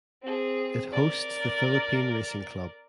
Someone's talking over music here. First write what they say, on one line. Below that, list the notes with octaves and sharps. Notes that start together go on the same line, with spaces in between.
It hosts the Philippine Racing Club.
C4 G#4
A#4 D5